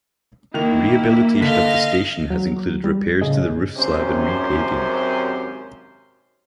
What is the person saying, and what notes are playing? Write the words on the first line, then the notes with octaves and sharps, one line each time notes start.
Rehabilitation of the station has included repairs to the roof slab and repaving.
D#3 A#3 E4 F7
D3 D#5 F5 B6
F#3
G3
A2 C#3 G#4 D#5
G#1 F#2 C3 C#4 C5